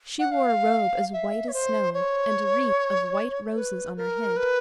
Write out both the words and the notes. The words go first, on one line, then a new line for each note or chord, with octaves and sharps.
She wore a robe as white as snow, and a wreath of white roses on her head.
F#5
F5
E5
C#5
C5
C#5
B4
A#4
B4